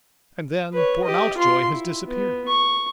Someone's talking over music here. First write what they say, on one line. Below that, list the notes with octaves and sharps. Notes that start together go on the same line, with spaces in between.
And then poor Mountjoy has disappeared.
B4 C#5
G4 D#5
F4 C6
E4
B3
C#6